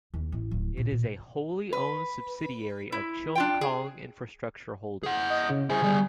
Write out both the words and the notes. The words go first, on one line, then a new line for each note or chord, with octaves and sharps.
It is a wholly owned subsidiary of Cheung Kong Infrastructure Holdings.
D#2
A1
D1
A#2 B3
A#2
B4
E4
D4 F4 G5
G#4
G#4 F#5
D#5
C#3
E4 G#4 C5
D3 G3